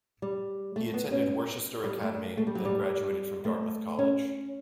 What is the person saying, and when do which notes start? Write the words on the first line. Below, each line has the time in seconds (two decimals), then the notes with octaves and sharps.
He attended Worcester Academy, then graduated from Dartmouth College.
0.22 G3
0.76 A3
0.94 B3
1.12 C#4
1.84 G3
2.02 A3
2.37 A3
2.47 G3
2.55 F#3
2.65 G3
3.45 A3
3.99 C#4